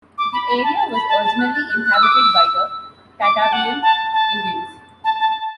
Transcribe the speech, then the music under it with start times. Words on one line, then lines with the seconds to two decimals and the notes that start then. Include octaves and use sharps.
The area was originally inhabited by the Tataviam Indians.
0.18 D6
0.33 B5
0.48 B5
0.64 A5
0.79 A5
0.94 B5
1.09 A5
1.24 A5
1.39 F#6
1.55 A6
1.70 F#6
1.85 F#6
1.94 E6
2.03 D6
2.12 E6
3.22 D6
3.41 A5
3.53 F#5
3.83 A5
4.13 A5
5.04 A5
5.20 A5